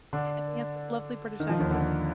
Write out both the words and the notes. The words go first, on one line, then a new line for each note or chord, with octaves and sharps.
and he has this lovely British accent.
D3 D4
D#3
F3
D#2 D#3
D3